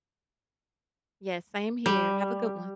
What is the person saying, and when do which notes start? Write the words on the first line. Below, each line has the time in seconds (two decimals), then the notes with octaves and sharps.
Yes, same here. Have a good one.
1.86 G3